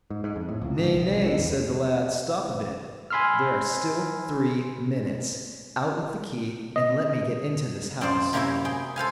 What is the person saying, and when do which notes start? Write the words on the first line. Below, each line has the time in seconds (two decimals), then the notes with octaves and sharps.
'Nay, nay!' said the lad; 'stop a bit, there are still three minutes! Out with the key, and let me get into this house.'
0.10 G#2
0.24 G#2
0.36 F2
0.49 A2
0.61 C#2
0.77 G#2
0.92 B1
1.11 C2
1.26 D3
1.38 E2
3.10 G#5 B5 C6 E6 F6
6.76 D#5
8.01 F#2 C4 F4 C5 D5
8.33 F#2 C3 A#3 E4 G4 C#5
8.65 G#4 G5
8.96 A4 C5 F5 G#5